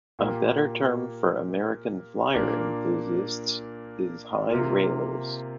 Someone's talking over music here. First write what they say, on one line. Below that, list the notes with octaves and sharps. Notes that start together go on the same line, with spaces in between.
A better term for American Flyer enthusiasts is Highrailers.
A#2 A#3 G4
A#2 A#3 D4
C3 A#3 F4